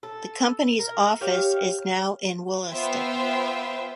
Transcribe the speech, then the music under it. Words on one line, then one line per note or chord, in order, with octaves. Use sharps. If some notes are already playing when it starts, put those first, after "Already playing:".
The company's office is now in Wollaston.
A4
A#4
G4 C#5 F5
B3 F4 C5 E5 G5